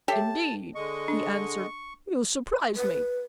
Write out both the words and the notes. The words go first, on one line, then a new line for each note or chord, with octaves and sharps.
'Indeed,' he answered, 'you surprise me.
G4 A4 C#5 E5 A5
D3 G#3 D#5 C#6
D4
B4